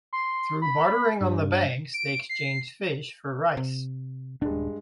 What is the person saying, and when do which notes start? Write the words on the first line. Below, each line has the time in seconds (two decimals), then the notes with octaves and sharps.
Through bartering on the banks, they exchange fish for rice.
0.13 C6
0.62 B5
1.20 G2
1.94 D7
2.29 C7
3.57 C3
4.41 D#1 G2 G#3 D4